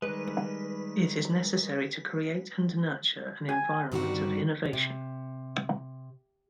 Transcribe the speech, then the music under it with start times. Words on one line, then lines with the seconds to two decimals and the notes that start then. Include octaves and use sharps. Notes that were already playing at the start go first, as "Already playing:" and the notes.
It is necessary to create and nurture an environment of innovation.
0.02 D#3 G3 G#3 B4
3.49 G#5
3.92 G2 D3 D#3 G3 C4 F#4
4.73 C3